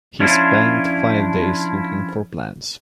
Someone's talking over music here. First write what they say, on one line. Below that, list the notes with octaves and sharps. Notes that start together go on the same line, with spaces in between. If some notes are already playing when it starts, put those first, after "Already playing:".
He spent five days looking for plants.
F3 C#4 D4 E4 F4